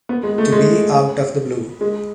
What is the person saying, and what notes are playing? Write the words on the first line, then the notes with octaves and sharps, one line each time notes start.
To be out of the blue.
B3
G#3
A3
G#3
G#3